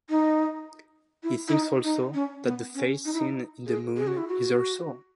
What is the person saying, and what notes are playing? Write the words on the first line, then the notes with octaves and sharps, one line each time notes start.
He thinks also, that the face seen in the moon is her soul.
D#4
E4
E4
D#4
D#4
C#4
B3
C#4
D#4
E4
D#4
G#4
G#4
F#4
E4
F#4